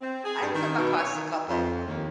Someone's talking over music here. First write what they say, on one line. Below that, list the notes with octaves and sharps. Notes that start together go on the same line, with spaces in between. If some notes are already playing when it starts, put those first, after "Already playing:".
I've come across a couple,
C4
G#4
G2
D#3
B2
C#5
D#3
F2
D#2